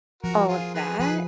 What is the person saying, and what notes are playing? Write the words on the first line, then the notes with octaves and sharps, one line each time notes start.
all of that,
F3 F#4 A#4
F4 G#4
G#4 B4
F3 G#4 B4